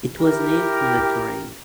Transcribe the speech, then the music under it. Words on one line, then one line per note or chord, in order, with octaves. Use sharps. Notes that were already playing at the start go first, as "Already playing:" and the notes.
It was named from the terrain.
E4 G4 A#4